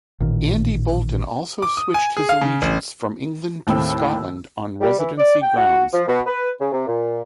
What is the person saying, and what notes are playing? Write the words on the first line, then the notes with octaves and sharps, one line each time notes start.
Andy Boulton also switched his allegiance from England to Scotland on residency grounds.
A1 A#2 D#3
D6
D#6
G#5
G#4
F5
C#3
A1
D#2 A2 A3 C4 G5 E6
G3
E3
D5
G5
F#4
F3
B2
B4
C#3
C3
A#2